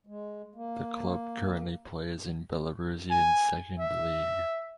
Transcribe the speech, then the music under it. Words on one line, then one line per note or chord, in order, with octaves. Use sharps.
The club currently plays in Belarusian Second League.
G#3
A#3
G#5
E5